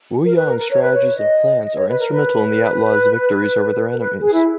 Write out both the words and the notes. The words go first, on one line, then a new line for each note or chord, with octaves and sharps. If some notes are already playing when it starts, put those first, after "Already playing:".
Wu Yong's strategies and plans are instrumental in the outlaws' victories over their enemies.
A#4
B4
A#4
A#4
C#5
B4
C#5
D#5
D#5
C#5
B4
A#4
B4
A#4
B4
G#4
E4